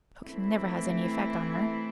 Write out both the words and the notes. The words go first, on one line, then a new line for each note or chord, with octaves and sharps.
"Coaxing never has any effect on her."
E3 A3 C4 E4